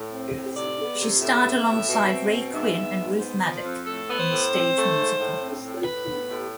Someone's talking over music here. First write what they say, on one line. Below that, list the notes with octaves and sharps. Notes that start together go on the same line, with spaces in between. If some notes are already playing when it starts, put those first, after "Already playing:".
She starred alongside Ray Quinn and Ruth Madoc in the stage musical.
Already playing: A2
C4
A2
C3 D5
B3
C3
A2 E5
B3
A2
B2
C4
B2
G#2 E5
B3
G#2
B3 C5
F3
F2
A2 A4
B3
C5
A2
C4
A3
G#2
A2
C4
A2
A2 B4
B3
A2